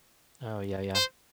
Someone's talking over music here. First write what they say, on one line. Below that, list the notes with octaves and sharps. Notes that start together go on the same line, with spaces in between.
Oh, yeah, yeah.
C5